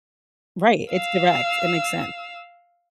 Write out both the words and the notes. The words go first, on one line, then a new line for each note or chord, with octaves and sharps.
Right, it's direct, it makes sense.
F5 E6